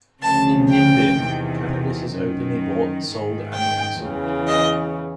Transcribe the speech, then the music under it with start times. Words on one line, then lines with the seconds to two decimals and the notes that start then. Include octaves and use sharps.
In Nimbin, cannabis is openly bought, sold and consumed.
0.22 D2 C#3 F3 A5
0.69 G5
1.16 E2 C3 D#3
2.11 F#2 D#3
3.05 G#2 D#3
3.54 G5
4.00 E2 C#3 E3
4.47 D#5